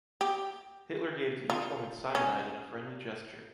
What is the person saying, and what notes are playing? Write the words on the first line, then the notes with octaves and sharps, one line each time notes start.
Hitler gave to each woman cyanide in a friendly gesture.
G4
F4
C#4